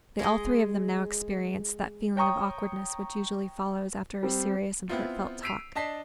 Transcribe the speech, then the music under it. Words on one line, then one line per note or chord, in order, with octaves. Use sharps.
They all three of them now experienced that feeling of awkwardness which usually follows after a serious and heartfelt talk.
G#3 D#5
C#5 G5 A#5 C#6 D#6
G3 C4
B3 C4 E4 F4
E6 B6 C7 D7 D#7 F7
D4 D#5 A5 B6 C7